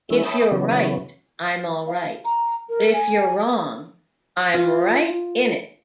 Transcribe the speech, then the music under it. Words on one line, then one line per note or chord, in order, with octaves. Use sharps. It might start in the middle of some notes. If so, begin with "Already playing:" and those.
If you're right, I'm alright; but if you're wrong, I'm right in it!
E3 G#3 C#4 E4
C#5 E5 G5 A5 B5 D#6
C#3 E3 F#3 B3 C#4
F5
A#5
A#4
G#5
F4